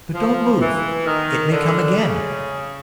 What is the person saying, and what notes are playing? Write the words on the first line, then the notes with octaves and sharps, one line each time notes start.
But don't move; it may come again.'
F3
E3
D#3
D3
C#3